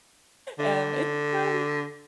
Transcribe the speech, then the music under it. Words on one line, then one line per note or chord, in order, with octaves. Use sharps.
Um, it's, um,
D3